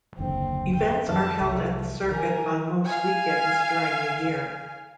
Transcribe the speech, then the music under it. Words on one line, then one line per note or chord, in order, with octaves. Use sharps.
Events are held at the circuit on most weekends during the year.
F#1 D#2 D3 C4
G5
F#2 D#3 F#3 A5
C2 A3
D#3 A#4 G#5
F5 G#5